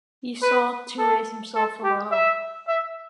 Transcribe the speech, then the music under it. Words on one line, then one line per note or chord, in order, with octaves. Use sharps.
He sought to raise himself a little.
B4
A4
A4
G4
E5
E5